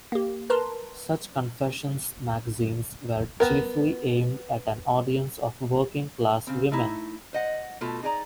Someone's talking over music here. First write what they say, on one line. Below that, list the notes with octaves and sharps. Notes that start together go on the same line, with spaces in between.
Such confessions magazines were chiefly aimed at an audience of working class women.
A#3 G4
A#4 B4 A5 A#5 C6
B3 A#4
C#3 C4
A3 D#4 E4
C5 D#5 F#5
B2 A3 F4 A4
D#4 G#4 D5 A#5